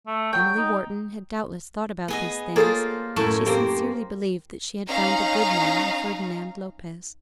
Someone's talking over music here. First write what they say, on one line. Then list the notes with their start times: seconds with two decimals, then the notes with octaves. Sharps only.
Emily Wharton had doubtless thought about these things, and she sincerely believed that she had found the good man in Ferdinand Lopez.
0.07 A3
0.33 F#3 G5
0.57 D#4
2.08 B3 G#4 D#5
2.56 A#3 F4 G#4 A4 C5 C#5
3.16 F#2 A2 A5
3.46 A#3 C4 G4
4.88 C#4 D#4 F5 A#5